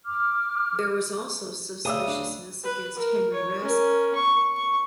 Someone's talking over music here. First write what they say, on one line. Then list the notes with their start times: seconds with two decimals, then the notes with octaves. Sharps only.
There was also suspiciousness against Henry Raspe.
0.05 D6 F6
1.85 D2 C#3 G4 D5 E5 D#6
2.08 D4
2.64 B4
2.97 A#4
3.34 C#5
3.62 C#4 A#4
4.15 C#6
4.55 C#6